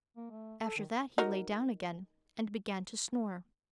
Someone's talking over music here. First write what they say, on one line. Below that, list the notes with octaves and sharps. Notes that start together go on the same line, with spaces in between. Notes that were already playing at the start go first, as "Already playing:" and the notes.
After that he lay down again, and began to snore.
A#3
A3
A4
D#3
F#3 D#4 A#4